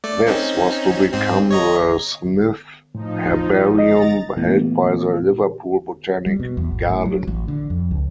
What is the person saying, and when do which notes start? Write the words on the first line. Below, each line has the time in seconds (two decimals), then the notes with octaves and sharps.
This was to become the Smith Herbarium held by the Liverpool Botanic Garden.
0.04 A3 D5
0.27 C4 C#4 D#4
1.13 G#2 C4
1.51 C#5 D#5 A#5
2.95 A2 F3 D#4
3.79 D#5 A#5 A6
4.37 A#2 E3 A3 B3
6.26 G3
6.40 B2
6.57 E2
6.71 G#1
6.89 A2
7.05 F#3
7.27 A1
7.48 D3
7.70 F2
7.91 C#2